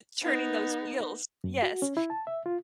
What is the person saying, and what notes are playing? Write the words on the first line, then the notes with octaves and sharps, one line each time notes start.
turning those wheels yes,
B3 D#4
F#2
F#4
C#4
E4
A5
E5
F4